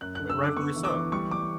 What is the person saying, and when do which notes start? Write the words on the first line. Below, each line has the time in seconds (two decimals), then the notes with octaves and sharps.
And rightfully so.
0.01 F#2 F#6
0.15 D3 F#6
0.30 E6
0.39 D3 D6
0.56 B3 C#6
0.76 E3
0.85 D6
0.94 E3
1.12 G3 C#6
1.31 G3 D6